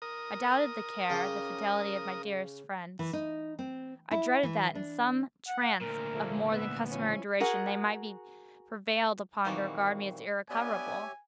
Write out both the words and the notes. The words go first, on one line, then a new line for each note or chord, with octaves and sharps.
I doubted the care, the fidelity of my dearest friends. I dreaded that, in some trance of more than customary duration, they might be prevailed upon to regard me as irrecoverable.
A#4 D#6
C#3 G5 D6
E3
D#4
C4
E4
E3
D4
F#5
D2 A#2 A#4
F3 A3 A#3
B3 B4 E5
F3 C#4 E4
F#4 G#4 A#4 F#5
A#2 D#3 E3 G3 C4 F#4
B3 D4 G4 C#5 D5 E5 G#5